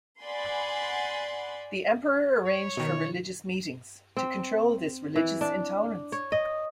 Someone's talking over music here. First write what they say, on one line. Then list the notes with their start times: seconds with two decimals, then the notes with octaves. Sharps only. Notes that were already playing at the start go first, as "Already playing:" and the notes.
The emperor arranged for religious meetings to control this religious intolerance.
0.22 D5 F#5 G#5 B5 C6
2.46 C#5
2.77 B2 D#3
4.17 C4
5.16 E3
5.41 D4
6.12 C#5
6.32 D#5